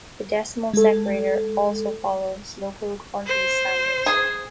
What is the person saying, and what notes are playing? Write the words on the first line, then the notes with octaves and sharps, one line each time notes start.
The decimal separator also follows local countries' standards.
G#3 A4
C5
G#4